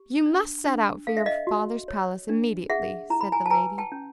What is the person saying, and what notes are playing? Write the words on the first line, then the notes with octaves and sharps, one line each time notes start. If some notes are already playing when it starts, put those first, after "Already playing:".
"You must set out for your father's palace immediately," said the lady.
Already playing: G4
D4
D4
A4 F5
E5
D#5 F5
F#4
C#5
D4
G#4 E5 F#5
E4 A#5
B5
G#5 A#5
A5
B4 G#5 A#5
G5 A5
C#4